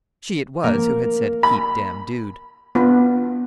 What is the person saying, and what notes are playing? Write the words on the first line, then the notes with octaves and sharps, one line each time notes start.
She it was who had said "Heap dam dood."
A#3
B5
B3 D4 F4 B4